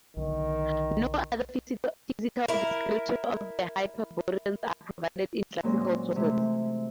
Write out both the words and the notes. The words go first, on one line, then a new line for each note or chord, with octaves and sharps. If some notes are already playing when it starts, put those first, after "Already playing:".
No other physical descriptions of the Hyperboreans are provided in classical sources.
B1 D3 D#3
E4 A#4
A#2 F#3 G#3 A#3 C4 C#4
C3 E3 G#3 A3